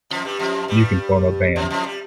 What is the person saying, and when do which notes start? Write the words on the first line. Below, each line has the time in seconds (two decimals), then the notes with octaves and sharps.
You can form a band.
0.10 F2 F3
0.25 G2 G3
0.39 F2 F3
0.68 G2 G3
1.56 F2 F3
1.71 F2 F3
1.85 G3